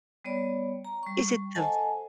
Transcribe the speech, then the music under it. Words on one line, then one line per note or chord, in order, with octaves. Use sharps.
is it the v
G3 B3 C#5 D5
A#5
G3 C#6
A4 C5 D#5 F#5 G#5 A5